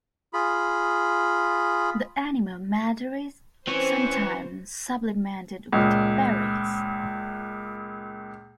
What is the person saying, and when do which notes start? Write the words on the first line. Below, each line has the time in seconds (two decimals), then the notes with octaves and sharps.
The animal matter is sometimes supplemented with berries.
0.33 F4 G#4 B5
3.67 E3 C4 C#4 C5 C#6
5.72 C#2 A#2